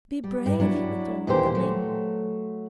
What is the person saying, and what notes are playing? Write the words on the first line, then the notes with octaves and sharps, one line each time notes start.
'Be brave,' he went on rapidly.
G3
G2
F#3 D4 E4
D#2 A#2 E3 A#3 G4 C5
F#3 A3